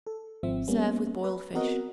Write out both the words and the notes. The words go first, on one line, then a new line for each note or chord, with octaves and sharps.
Serve with boiled fish.
A4
G#1 F3 C4 E5
G3 A#3 B3 C#4
B4
B3 C4 F#4 A#4 D#5 F#5